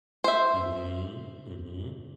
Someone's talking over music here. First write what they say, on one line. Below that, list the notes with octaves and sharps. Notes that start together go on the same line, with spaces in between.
Mhm, mhm.
C5 E5